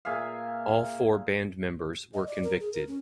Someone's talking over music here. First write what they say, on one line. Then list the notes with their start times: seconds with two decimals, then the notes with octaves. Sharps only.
All four band members were convicted.
0.05 A#2 G#4 E5 F5
2.14 D#5
2.27 D5
2.43 A#4
2.60 G#4
2.73 A#4
2.87 C#4